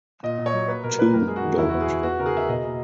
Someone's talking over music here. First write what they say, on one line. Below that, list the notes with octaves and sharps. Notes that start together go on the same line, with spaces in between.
Two don’t.
A#2 D#5
A#2
C#5
F#3
A#3 B4
B2 A#4
A#3 B4
F#2 A#4
G#3 G#4
F#4
D#3
E2 E4
B3 F#4
G#4
E2
B3 F#4
C#3 A#4
G#4
C#3 E5
B2 D#5
A#3